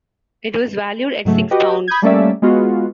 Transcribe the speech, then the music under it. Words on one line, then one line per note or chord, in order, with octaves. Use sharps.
It was valued at six pounds.
G#2 C#3 F#3 A3
F#4 G4 B4 D#5 G5
B5 D#6 G6 G#6
G3 A3 A#3 C#4 D5 E5
G#3 B3 F4 F#4